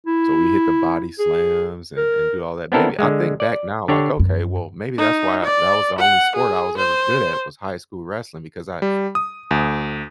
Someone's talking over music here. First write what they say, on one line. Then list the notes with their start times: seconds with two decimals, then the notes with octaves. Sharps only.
so we hit the body slams and and do all that. Maybe I think back now, like, okay, well, maybe that's why that was the only sport I was ever good at was high school wrestling because I
0.07 E4
1.19 G#4
1.97 A#4
2.72 B3 C4 D4 E4 A4 A#4
2.99 D3 G#3
3.40 D5
3.88 D3 D4 G4 C#5
4.19 F#2
4.98 D#4
5.44 D5
5.99 F#5
6.36 G#4
6.78 C5
8.82 G3
9.15 D#6
9.51 D2